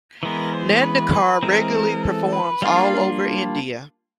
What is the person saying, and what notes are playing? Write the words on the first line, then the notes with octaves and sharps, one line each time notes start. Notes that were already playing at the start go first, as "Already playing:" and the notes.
Nandikar regularly performs all over India.
E3 G#3 B3 A#4
C5
B4
B4
E3 G#3 C4 A#4
A4
B4
G3 A#3 D4 F4 F5